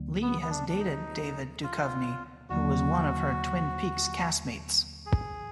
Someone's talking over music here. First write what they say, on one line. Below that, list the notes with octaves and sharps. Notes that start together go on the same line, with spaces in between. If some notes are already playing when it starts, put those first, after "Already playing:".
Lee has dated David Duchovny, who was one of her "Twin Peaks" cast-mates.
Already playing: D2 D3 F#3 A#3
B3
B3
D4
D4
D#4
F4
D#2 D3 F#3 A#3 F#4
G#4